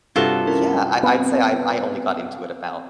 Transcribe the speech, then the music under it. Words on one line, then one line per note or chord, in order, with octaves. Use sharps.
yeah, I I'd say I I only got into it about,
G2 C3 F4 F#4 A4
C#4 E4 A#4
B3 C4 F5